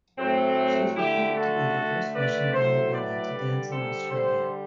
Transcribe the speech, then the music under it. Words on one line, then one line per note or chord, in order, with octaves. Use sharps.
She is reputed to be the first Russian ballerina to dance in Australia.
A2 F#3 A3 C4
D3 A3 E4 G4
F#4 A4
D3 A3
B4 D5
A2 F#3 A3 A4 C5
B4 D5
D3 G3
A4 C5
D3 G3 A4 C5